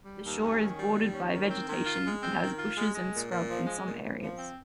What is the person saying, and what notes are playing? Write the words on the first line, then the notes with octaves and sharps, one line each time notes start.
The shore is bordered by vegetation and has bushes and scrub in some areas.
G3
D#2
C#4
D#3
G3
D#2
C#4
D#3
C4
D#3
F4
G#3
C4
D#3
F4
G#3
G#3
A#2
A#2
F3
G#3
A#2
A#2
F3
C4